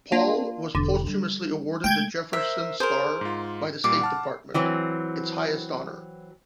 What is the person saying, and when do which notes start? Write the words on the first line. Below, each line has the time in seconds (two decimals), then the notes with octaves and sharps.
Paul was posthumously awarded the Jefferson Star by the State Department, its highest honor.
0.12 A#3 D4 F4
0.75 E1 D3
1.07 G3
1.84 G#3 A3 G5 G6 G#6
2.33 A#4 C5 E5
2.80 G#4 A#4 C5
3.21 G#2 F4
3.84 A#2 G3 D6 C7
4.01 F#5 A5 F6
4.54 E3 F#3 C4